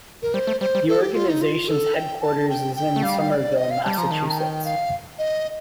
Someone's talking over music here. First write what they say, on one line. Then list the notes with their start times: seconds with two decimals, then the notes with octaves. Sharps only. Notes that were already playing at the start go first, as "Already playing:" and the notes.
The organization's headquarters is in Somerville, Massachusetts.
0.22 A#4
0.34 G3 C5
0.47 A3
0.61 G3 C5
0.75 G3
0.88 A4
1.01 G4
1.15 F4
1.29 D#4
1.41 F4
1.68 A4
1.95 G5
2.22 A5
2.49 G5
2.76 G5
2.96 A3
3.03 G3 F5
3.30 D5
3.57 D#5
3.71 F5
3.84 G3 A5
3.98 F3 A#5
4.11 D#3 A5
4.28 A5
4.38 G5
4.65 F5
5.19 D#5